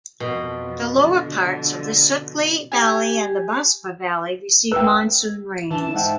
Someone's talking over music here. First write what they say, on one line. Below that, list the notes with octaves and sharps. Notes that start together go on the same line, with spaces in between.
The lower parts of the Sutlej Valley and the Baspa Valley receive monsoon rains.
F2 B2 F3
D3 F3
G4 G#5
B4 G5 E6
E3 A5
G#2 E5 F#5 G5